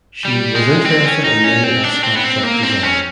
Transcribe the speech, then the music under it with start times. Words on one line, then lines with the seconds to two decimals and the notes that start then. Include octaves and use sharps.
She was interested in many aspects of design.
0.25 G3
0.55 G#3
0.85 C4
1.04 C#4
1.24 D#4
1.44 C#4
1.64 C4
1.84 D4
2.04 C4
2.17 B3
2.23 C4
2.43 A#3
2.63 C4
2.83 C#4